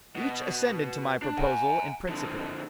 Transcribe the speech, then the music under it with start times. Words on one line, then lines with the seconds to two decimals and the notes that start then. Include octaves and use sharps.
Each assented to my proposal in principle.
0.16 B2
1.22 D4
1.38 F#5 G#5
2.09 F2 D3